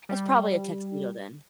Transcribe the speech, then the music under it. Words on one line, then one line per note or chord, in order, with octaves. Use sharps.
It's probably a tuxedo then.
G3